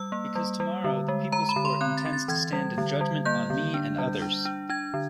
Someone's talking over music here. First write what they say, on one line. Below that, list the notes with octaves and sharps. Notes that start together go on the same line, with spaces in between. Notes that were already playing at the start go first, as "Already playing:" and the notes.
Because tomorrow the People's Court intends to stand in judgment on me and others.
Already playing: G3 E6
A#3
G3
G3
D3
G#3
G#3 A#5
B5
D3
C6
C4 F#6
A6
C4
A6
E3 G#6
G3
D3
G3
A#3 G6
D3
D4
G3
D4
D4
D4 G#6
D3